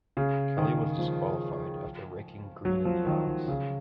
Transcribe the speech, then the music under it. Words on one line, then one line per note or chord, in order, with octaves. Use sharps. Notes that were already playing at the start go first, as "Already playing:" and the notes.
Kelly was disqualified after raking Green in the eyes.
C#3
D#3
F3
F#3
F3
D#3
D#3
C#3